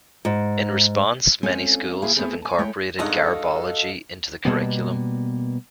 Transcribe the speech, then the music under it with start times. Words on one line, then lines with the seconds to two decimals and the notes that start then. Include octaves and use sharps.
In response, many schools have incorporated garbology into the curriculum.
0.25 G#2
1.43 G#3 C4 C#4 F4 A4 G#5
2.02 B2 A#3 E4 G#4 E5 F5
2.16 A3 B3 C4 E4 G#4 A4
2.42 G#5 A5
2.59 G#3 A3 E4 C#5 G5
2.99 G2 G#3 D#4 F#4 A4 D#5 F5
4.45 B2 G3 A#3 B3